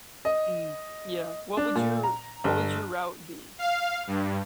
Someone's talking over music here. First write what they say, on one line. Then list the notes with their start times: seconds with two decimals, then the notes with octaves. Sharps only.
Mm, yeah. What would your what would your route be?
0.25 D#5
1.57 D4
1.75 A#2
2.04 A#5
2.44 G1
3.59 F5
4.07 G2